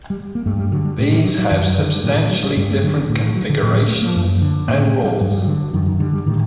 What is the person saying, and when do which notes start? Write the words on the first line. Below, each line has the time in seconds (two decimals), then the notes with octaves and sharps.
These have substantially different configurations and rules.
0.10 G3
0.35 A#3
0.46 G2 A3
0.59 G3
0.72 D3 F#3
0.85 G3
0.98 A2 A3
1.12 G3
1.25 F#3
1.38 F#3
1.51 F#2 D#3
1.68 F#3
1.78 D3 D#3
1.96 G3
2.04 A2 F#3
2.17 D#3
2.31 F#3
2.43 G3
2.57 G2 G3
2.71 A3
2.84 D3 F#3
2.96 D#3
3.10 A2 D3
3.23 D#3
3.36 F#3
3.49 D3
3.63 A2
3.76 G3
3.88 A3
4.02 A#3
4.16 F#2
4.42 D3
4.68 A2 A#3
4.86 A3
5.04 G3
5.21 G2 F#3
5.32 G3
5.42 F#3
5.47 D3
5.73 F#2 D#3
5.87 D#3
6.00 D3 G3
6.13 G3
6.26 A2 D#3